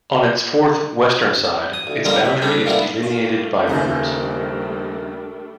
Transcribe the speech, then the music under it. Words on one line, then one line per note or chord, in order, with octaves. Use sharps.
On its fourth, western side, its boundary is delineated by rivers.
D#6
D2
D3 G3 A#3 C4 D#4
B5
C3 G3 C4 D4 A4
G2 A#2 G3 A3 B3 E4
G3 A3 D4 F4 A#4
D#2 C#3 E3 D#4 C5